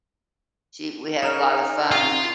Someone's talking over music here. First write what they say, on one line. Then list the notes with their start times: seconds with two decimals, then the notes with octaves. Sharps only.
She we had a lotta fun.
1.23 D#4 A#4 A#5 F6
1.91 F4 F5 C#6 D#6 C7